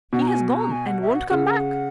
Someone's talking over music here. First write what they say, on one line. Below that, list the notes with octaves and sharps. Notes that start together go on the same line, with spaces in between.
He has gone, and won't come back!
B2 F#5
A#5
G#5
A#5
G#5
F#5
E5
F#5
C#3 F#5